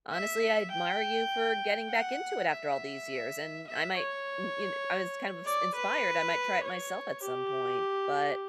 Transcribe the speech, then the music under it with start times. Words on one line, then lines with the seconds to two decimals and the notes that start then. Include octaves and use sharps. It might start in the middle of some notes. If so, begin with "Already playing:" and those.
honestly, I admire you for getting back into it after all these years, and I might, y you know, I was kind of ins inspired, I might try it myself at some point, but
0.12 E5
0.71 G5
1.90 F#5
2.49 E5
3.67 E5
3.97 C#5
5.45 D5
5.75 B4
6.63 C#5
7.22 G4